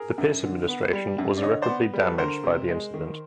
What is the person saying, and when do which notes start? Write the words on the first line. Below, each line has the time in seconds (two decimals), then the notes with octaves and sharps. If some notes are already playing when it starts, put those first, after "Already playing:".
The Pierce Administration was irreparably damaged by the incident.
Already playing: G#4 A#4
0.18 F#2
0.43 D3
0.68 B3
0.93 G3
1.18 F#2
1.37 D5
1.43 D3 C#5 D#5
1.62 C5 D5
1.68 B3
1.93 G3
1.99 A4 B4
2.18 D2 A#4 C5
2.43 C3
2.68 G#3
2.94 D#3